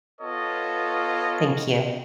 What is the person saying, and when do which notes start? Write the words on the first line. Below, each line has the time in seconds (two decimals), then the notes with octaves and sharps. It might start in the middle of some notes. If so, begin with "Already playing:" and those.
Thank you.
0.21 B3 F4 A4 C#5 D#5